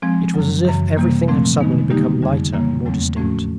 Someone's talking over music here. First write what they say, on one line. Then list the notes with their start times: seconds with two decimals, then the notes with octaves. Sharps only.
It was as if everything had suddenly become lighter and more distinct.
0.02 F3 G#3 C4
0.34 F#2 C#3 F#3
0.65 F#2 C#3 E3
0.97 C3 E3 G3 A#3
1.28 A#2 F3 A3 C4
1.59 C3 D#3 G#3 B3 D#4
1.90 D3 G3 A#3 D#4 G4
2.22 F2 D3 G3
2.53 C#3 E3 G3 A#3
2.85 E2 C#3 F#3 A3 C4
3.16 A2 F3 A3 C#4 F#4